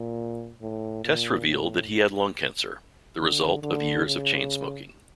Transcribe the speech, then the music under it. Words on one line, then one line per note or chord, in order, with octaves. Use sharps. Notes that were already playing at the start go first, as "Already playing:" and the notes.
Tests revealed that he had lung cancer, the result of years of chain smoking.
Already playing: A#2
A2
A#2
A2
D3
D3
C#3